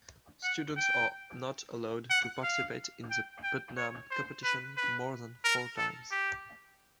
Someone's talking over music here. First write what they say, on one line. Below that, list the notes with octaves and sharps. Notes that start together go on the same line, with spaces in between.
Students are not allowed to participate in the Putnam Competition more than four times.
F#5
G5
F#5
F5
G5
G5
C#5
C5
B4
B4
A#4
A4
G4